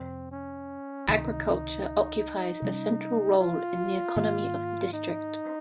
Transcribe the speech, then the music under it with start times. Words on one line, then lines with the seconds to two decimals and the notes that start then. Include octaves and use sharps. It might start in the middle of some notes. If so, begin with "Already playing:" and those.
Agriculture occupies a central role in the economy of the district.
Already playing: F2 C3 F3 C4
0.32 C#4
1.08 C#2 C3 D#3 D#4
2.62 C3 G3 C#4
3.39 F4
4.16 G#2 D#3 A#3
4.93 D#4